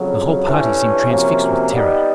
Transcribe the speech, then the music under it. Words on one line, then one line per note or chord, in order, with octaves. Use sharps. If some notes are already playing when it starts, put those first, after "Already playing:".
The whole party seemed transfixed with terror.
Already playing: F2 C#3 F#3
G2 E3 A3 C#4
C3 F3 A#3 C#4 F#4
G3 B3 D#4